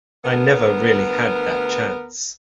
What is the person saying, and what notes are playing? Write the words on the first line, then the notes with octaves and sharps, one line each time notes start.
I never really had that chance.
D2 B3 A#4